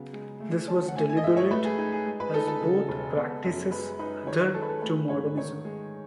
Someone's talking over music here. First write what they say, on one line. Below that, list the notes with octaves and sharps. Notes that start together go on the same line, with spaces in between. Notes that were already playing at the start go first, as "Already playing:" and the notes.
This was deliberate as both practices adhere to modernism.
Already playing: C#3 F#3 B3
G#3
A3
C#4 A5
F#5
A3 G#5
G#5
D#5
G#2 E5
C#5
A3 B4
G#4
D#4 G#4
G#4
G#3
B4
D#4 A4
A4
C#3
E1
B3
F#2
G#3 B4
D#4 B4
D#3 C#5
C#5
G#3 A4
B4
A4
A3 B4
G#2 C#5
D#3 C#5
G#3